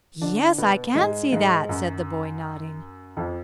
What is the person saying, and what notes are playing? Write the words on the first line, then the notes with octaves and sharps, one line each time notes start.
"Yes; I can see that," said the boy, nodding.
D3 D4
B2 B3
G#2 G#3
G#2 G#3
F#2 F#3
F2 F3